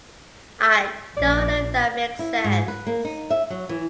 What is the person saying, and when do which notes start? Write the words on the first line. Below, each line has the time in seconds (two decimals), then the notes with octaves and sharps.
I don't know if that makes sense.
1.17 A#1 D5
2.19 E4
2.44 G#2
2.68 B4
2.87 A#3
3.05 D#4
3.30 E5
3.50 F#3
3.69 E3